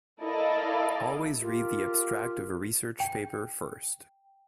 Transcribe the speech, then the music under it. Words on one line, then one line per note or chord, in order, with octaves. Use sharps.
Always read the abstract of a research paper first.
E4 A4 A#4 D5 D#5 F5
F4 G4 A#4
G5